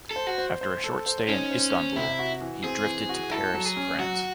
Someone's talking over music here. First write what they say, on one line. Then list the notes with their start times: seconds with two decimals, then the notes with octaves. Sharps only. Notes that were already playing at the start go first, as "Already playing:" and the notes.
After a short stay in Istanbul he drifted to Paris, France.
0.11 A4
0.16 C5
0.27 F#4
0.38 C5
0.61 C5
0.84 A4
1.06 C5
1.29 C#4 D#4
1.51 C5
1.74 C5
1.96 C3 E4
2.19 F#4
2.41 E3
2.63 C4 G#4
2.86 E3
3.09 F#4
3.31 E4 A4
3.54 F#3
3.65 G#4
3.77 C#4
3.99 F#3 F#4